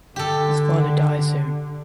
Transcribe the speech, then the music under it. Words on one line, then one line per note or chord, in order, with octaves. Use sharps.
His father dies soon.
D3 G4 A4